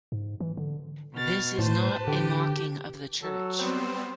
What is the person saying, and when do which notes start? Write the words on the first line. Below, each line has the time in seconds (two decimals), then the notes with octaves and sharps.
This is not a mocking of the church.
0.12 G#2
0.40 E3
0.57 D3
1.13 B2 F6 A6
1.59 A2 B4 C5 A5
2.07 D3 G4
3.23 F#3 A4
3.59 G3 B3 C4 C5